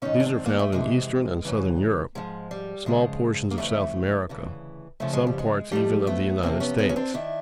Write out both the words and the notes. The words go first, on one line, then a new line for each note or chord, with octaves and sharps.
These are found in eastern and southern Europe, small portions of South America, some parts even of the United States.
G#2 D#3 C#4 D#4
C#4
C4 D4
A#3
A3
F2 C3 E3 G#3
F#2 C#3 E3
G#2 F3 G#3
G3
E2 C#3 F3 G#3
A#3
F2 C#3 E3 G3 A3
D2 C#3 E3
F2 C#3 F3 A3
G#3
G3
G#3
F2 C#3 F3 G3 A3
A3 B3
E2 C3 F3 A#3 C4
B3 C#4
B3 C#4
C#4
C4 D4
D#3 D4 E4